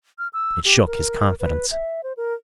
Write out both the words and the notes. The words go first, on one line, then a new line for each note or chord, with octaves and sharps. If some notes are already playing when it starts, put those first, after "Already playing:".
It shook his confidence.
F6
E6
G4
A#4
B4
E5
C5
A#4